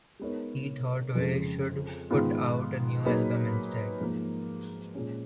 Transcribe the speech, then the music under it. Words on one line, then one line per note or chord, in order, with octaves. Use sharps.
He thought we should put out a new album instead.
G#3 B3 D#4 A#4 C#5
F2 C#3 G#3
G#2 D#3 G#3 B3 F4
F#3 A#3 D#4 G#4 B4
G#2 F3 A#3
A#2 G#3 C#4